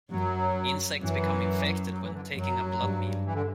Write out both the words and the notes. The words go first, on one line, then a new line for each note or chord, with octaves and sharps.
Insects become infected when taking a blood meal.
F#2 F#3
F#2 E3
F#3
E3
D3
F#2 F#3
G2
E3
D3